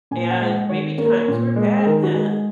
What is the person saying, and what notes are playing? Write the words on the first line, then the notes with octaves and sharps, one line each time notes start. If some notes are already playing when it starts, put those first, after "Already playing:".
And maybe times were bad then,
A#2 G#5
F#5
G#3
F#5
D#3 C#5
A#3 C#5
A#4
C#5
A#2
G#3
G#4
D#3 A#4
F#4
G#3 G#4